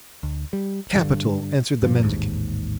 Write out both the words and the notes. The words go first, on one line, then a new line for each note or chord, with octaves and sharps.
"Capital," answered the mendicant.
D2
G3
G2 D3
G2 B2 E3 F3
A1 D#2 G#2